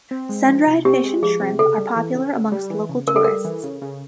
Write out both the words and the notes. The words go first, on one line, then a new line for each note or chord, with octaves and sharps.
Sun-dried fish and shrimp are popular amongst local tourists.
C4
G#3
F3
C3
C4 G4
G#3
F3 G#4
C3
C#3 A4
G3
E3
C#3
C#3
G3
E3
C#3
C#3 A#4
A4
G3 A#4
E3
C#3
C#3